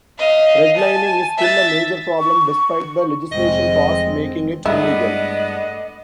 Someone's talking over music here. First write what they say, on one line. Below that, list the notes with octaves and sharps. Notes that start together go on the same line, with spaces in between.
Redlining is still a major problem despite the legislation passed making it illegal.
D#5 F5
G#5 A5
E5 A6
C#6
F1 G#3 C4 D#5
G2 G#3 A3 B3 D4 E4 D#5